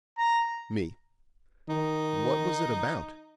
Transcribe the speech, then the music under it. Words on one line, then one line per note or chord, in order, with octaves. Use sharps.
ME: What was it about?
A#5
D#3 D#4